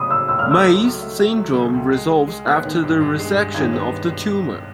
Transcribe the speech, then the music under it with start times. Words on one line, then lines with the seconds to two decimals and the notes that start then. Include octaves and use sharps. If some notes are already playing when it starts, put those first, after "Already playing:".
Meigs' syndrome resolves after the resection of the tumor.
Already playing: C#3 F#3 B5 D#6
0.10 C#3 E6
0.28 C#2 E6
0.39 F6
0.46 A3
0.51 E6
0.64 F#3
0.83 A3
1.01 A3
1.19 A3
1.37 F#3
1.55 C#3
1.74 C#2
1.92 G#3
2.10 G#3
2.27 G#3
2.45 B3 F#6
2.65 D#3
2.83 G2
3.01 G2
3.19 G#3
3.36 G2
3.54 D#3 G#6
3.73 B3